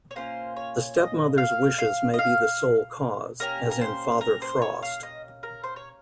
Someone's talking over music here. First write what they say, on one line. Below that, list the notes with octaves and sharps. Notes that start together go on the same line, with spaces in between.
The stepmother's wishes may be the sole cause, as in Father Frost.
C#5
A#3 C#4 F4 C5
C#5
D#5
F5
F5
D#5
F5
A#3 C#4 G4 A#4
A#4
C5
A#4
C5
C#5
F5
D#5
A#4
C5
C#5